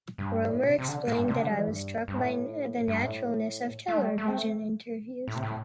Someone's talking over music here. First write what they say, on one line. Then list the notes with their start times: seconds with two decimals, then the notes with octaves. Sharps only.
Rohmer explained that I was struck by the naturalness of television interviews.
0.18 G2
0.48 A2
0.64 C3
0.78 C3
0.88 D3
1.08 A2
1.18 G2
1.28 C3
1.38 D3
1.48 G3
1.58 E3
1.68 G2
2.08 G2
2.18 A2
2.88 G2
3.03 A2
3.88 A3
3.98 G3
4.18 A3
4.28 C4
4.38 A3
5.28 A2
5.36 C3
5.43 A2